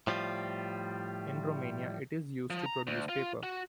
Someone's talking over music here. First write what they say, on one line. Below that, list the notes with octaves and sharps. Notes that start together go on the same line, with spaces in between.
In Romania it is used to produce paper.
A2 F3 G3 F4
F3
A#5
D2
F4
F#4